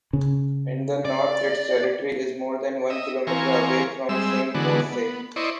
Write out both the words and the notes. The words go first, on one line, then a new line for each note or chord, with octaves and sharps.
In the North, its territory is more than one kilometer away from Sainte-Orse.
C#3
D5
D#5 E5
E3 C4 A#4 F5 G#5 C#6
G3 G#3 C4 E5 E6
D3 E3 G#3 B3 D4 F#4
B3
E4 C5 D5 D#5 C#6